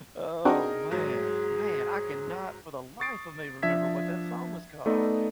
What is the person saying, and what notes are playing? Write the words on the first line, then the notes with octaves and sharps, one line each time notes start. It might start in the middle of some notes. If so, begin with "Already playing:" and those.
Oh, man. Man, I cannot for the life of me remember what that song was called.
C4 D4 D#4 F#4 G#4 A#4
G#2 F#3 G#4
C#6 D#6 A6 C7 D7
F3 D4 E5 G#6 B6
A3 B3 D#4 A4 D5 D#5